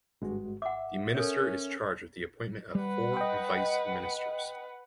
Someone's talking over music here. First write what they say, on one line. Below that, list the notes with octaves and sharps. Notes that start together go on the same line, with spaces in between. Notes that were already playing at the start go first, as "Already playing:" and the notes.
The minister is charged with the appointment of four vice ministers.
G#1 G2 G#3 F#4
E5 F#5 D6
C#4 A4 A#4 C#5
G3 B4 F#5
D#5 G5